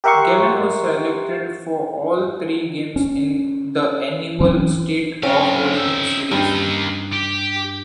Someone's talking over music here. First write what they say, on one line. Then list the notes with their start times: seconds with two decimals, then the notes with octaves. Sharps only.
Gallen was selected for all three games in the annual State of Origin series.
0.04 G4 A#4 E5 F#5 C6 C#6
2.96 C#4
4.40 E3 F#3 C4 C#4
5.23 F#3 C4 C#4 F5
5.76 D#4 E5
6.32 G2 A#3 D#4
7.13 G4